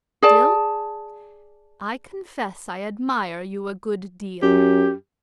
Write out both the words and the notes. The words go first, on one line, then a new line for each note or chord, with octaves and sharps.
Still, I confess, I admire you a good deal.
G#4 D5 A5
F#2 G4